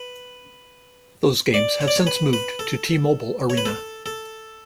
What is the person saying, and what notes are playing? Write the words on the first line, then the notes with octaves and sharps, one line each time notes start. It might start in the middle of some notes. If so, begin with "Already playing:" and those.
Those games have since moved to T-Mobile Arena.
Already playing: B4
D5
C#5
D5
C#5
B4
B4
A4
C#5
B4
A4
A4